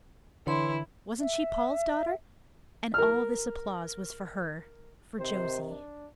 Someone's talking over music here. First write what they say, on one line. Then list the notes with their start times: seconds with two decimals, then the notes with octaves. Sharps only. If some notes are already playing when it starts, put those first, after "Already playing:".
Wasn't she Paul's daughter! And all this applause was for her--for Josie.
0.47 D3 E3 E4 C#5 C6
1.20 E5
2.94 A#4 F6
5.19 C3 D#3 C5
5.69 D4